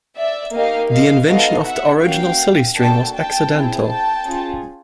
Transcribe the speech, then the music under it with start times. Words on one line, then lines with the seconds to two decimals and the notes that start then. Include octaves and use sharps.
The invention of the original silly string was accidental.
0.17 D5 E5
0.54 A#3 D#4 G4 D#5 F5
0.91 D#5 F5
1.28 B3 D#4 F#4 A4 D#5 F5
1.65 E5 F#5
2.02 A#3 C#4 F#4 F5 G5
2.76 A#3 D4 F#4 A4 G5 A5
3.13 G5 A5
3.50 C4 E4 G#4
3.87 G5 A5
4.24 C#4 F4 G#4